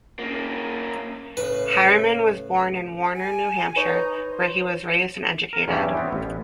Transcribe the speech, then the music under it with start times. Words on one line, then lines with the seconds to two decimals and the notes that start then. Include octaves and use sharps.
Harriman was born in Warner, New Hampshire, where he was raised and educated.
0.19 A#3 C#4
1.37 A2 C#3 B4
3.15 G#5
3.76 D#4 B4 C#5
4.29 C5
5.53 A#4
5.68 E2 G2 E3 C#4 E4 G4
5.97 B3 C4
6.13 A1